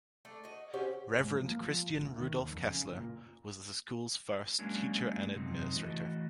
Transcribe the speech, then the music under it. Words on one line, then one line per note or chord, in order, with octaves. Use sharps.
Reverend Christian Rudolph Kessler was the school's first teacher and administrator.
A3 D4 A4
F#4 D#5
C4 C#4 F#4 G4
G#2
F3
A#3
F3
G#1
D2
D#3
D#2
F2
C#3
F#1
A#2
F#3 G#3 A#3 C#4 D4
F#2 C3 F#3 C4 D#4
E3 A3 F#4 D#5